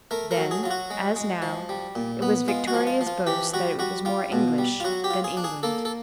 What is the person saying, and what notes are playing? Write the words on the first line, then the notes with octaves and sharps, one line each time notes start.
Then, as now, it was Victoria's boast that it was more English than England.
A3 A#4
A#4
F#3
G#4
F#3 F4
F#4
G#3
G#3
F3
G3
A#2
B3
G#3 F4
F#4
F3
F4
F3
F4
E3 G4
G3 F#4
G3 F#4
G3 F4
B2
G3
F4
F#3 F#4
G4
F4
G#4
D4
G#4
A#3 A4
A4